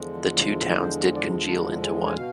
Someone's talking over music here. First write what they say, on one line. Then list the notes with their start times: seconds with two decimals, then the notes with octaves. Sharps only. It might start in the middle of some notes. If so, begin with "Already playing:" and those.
The two towns did congeal into one.
Already playing: E2 D3 F3 G#3
0.73 D5
0.82 C5
1.15 D5
1.48 A5
1.82 G#5
2.06 G#5
2.15 B2 F5